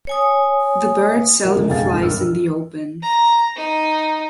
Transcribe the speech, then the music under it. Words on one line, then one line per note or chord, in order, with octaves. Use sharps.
The bird seldom flies in the open.
C#5 G#5 D#6
F3 A#4
G1 C#3
E1 F2 G#3 F5 A6
G#1
E1 G2 A#4 E6 F6
A#5
D#4